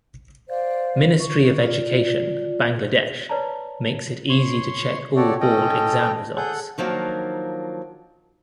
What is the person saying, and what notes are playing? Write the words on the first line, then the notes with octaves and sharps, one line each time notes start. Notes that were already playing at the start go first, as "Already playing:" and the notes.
Ministry of Education, Bangladesh makes it easy to check all Board exam results.
C5 D5 F5
C#6
F4 D5
B4 C#5 D5 A5 A#5
C#5 C6
F#4 G4 A4 C#5 D5
C#4 A4 D#5 G5
G#4 A4 F#5 G6
D#3 F3 F#3 A#3 D4